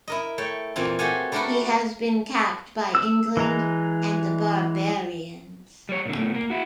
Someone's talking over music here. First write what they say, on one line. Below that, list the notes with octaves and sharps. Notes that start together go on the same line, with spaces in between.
He has been capped by England and the Barbarians.
E4 A#4 D#5
A3 C#5 G5
A#2 E3 C4 F4
A3 F#4 G4 F5 F#5 G#5
G3 A3 D4 F#4 A#4 B4
E6
E3 G#3 A#5
G3 C#5
A#2 D3
B2 A3
A#3
E4 F#4